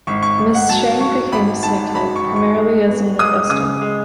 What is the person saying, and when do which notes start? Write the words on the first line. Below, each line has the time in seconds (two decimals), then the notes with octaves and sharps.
Ms. Cheng became a snakehead, primarily as an investor.
0.07 G#1 C#6
0.22 C#6
0.39 G#1
0.55 F#5
0.69 F#3 A5
1.01 F#3 C#6
1.32 G#1 B5
1.63 G#2 A5
1.94 F#3 B5
2.16 C#6
2.26 G#1
2.36 C#6
2.57 G#3
2.88 B3
3.19 G#3 D#6
3.50 C#3 D#6
3.81 G#3